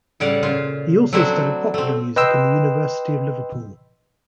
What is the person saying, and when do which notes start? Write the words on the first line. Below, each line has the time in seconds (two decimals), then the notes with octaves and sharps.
He also studied popular music in the University of Liverpool.
0.20 A2 C#3 G3 D5 F5 F#5
0.43 A#2 C#3 F4
1.13 F#3 A3 C4 D4 E4 F#4
1.74 A3 C4
2.16 B4 D#5 G5 C6 E6